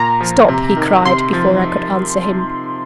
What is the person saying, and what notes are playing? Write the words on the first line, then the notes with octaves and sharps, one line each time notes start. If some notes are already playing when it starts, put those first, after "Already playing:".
"Stop!" he cried, before I could answer him.
Already playing: A#2 A#5
F3
C3
D#3
C3 C6
F3